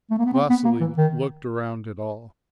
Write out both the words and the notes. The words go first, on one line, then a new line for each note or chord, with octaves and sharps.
Vasily looked around at all.
A3
A#3
B3
C4
B3
A#3
E3
D#3